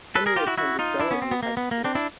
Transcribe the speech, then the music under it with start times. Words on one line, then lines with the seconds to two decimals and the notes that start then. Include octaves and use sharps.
Henry attended Bellevue High School.
0.15 A4 B4
0.26 G#4 A#4
0.36 F4 G4
0.47 E4 F#4
0.58 E4 F#4
0.79 D#4 F4
1.00 D4 E4
1.11 B3 C#4
1.22 C4
1.31 B3
1.43 A#3
1.57 B3
1.71 A#3
1.84 C4 D4
1.95 D4 E4